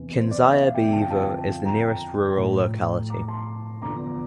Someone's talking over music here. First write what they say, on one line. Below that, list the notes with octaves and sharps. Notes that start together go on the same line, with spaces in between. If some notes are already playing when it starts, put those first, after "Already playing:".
Kinzyabayevo is the nearest rural locality.
Already playing: E2 C3 E3
C5
D5
E5
D5 F5
E5 G5
F2 D3 F3 A5
G5
F5 A5
G5 A#5
A2 F3
A#5 D6
A5 C6
E2 D3 F3 A#5 D6